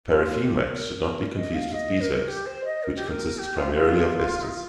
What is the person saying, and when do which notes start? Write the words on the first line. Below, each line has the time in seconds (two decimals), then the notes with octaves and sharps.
Paraffin wax should not be confused with beeswax, which consists primarily of esters.
0.07 F4
0.25 F4
0.44 G4
0.62 A#4
1.17 A#4
1.36 D#5
1.54 F5
1.73 D#5
2.00 A#4
2.28 G4
2.46 C5
2.65 D#5
2.83 A#4
2.96 G4
3.09 A#4
3.38 G4
3.57 F4
3.75 F4
4.43 D#4
4.48 F4